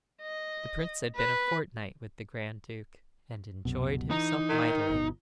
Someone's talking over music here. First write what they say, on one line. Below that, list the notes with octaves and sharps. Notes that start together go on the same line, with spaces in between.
The prince had been a fortnight with the grand duke, and enjoyed himself mightily.
D#5
B4
C2 F#2 B2
E3 D#4
D#3
G1 B2